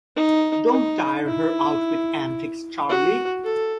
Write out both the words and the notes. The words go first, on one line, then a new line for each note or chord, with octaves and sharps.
Don't tire her out with antics, Charlie.
D#4
D#4
E4
F#4
A4